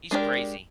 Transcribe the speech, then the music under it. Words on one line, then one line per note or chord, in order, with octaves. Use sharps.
He's crazy.
G#3 D4 G4 A#4 D5